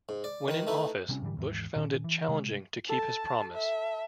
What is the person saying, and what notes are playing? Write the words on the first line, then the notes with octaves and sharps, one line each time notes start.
When in office, Bush found it challenging to keep his promise.
G#2
D5
D#3 B4
A3 D#4 E4 B4
C3 G3 C4 C#4
G#2 D3 E3 G3
D#2 G#2 E3
A#2 D#3 C#4
E3
C3 G#3
A4 A5
E5